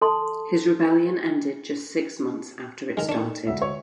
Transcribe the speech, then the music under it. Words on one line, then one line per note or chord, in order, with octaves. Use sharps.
His rebellion ended just six months after it started.
A4 A5 C6
D#3 G#3 D#4 A4 A#4
D4 C#6
D2 G#3 E5 E6
C#5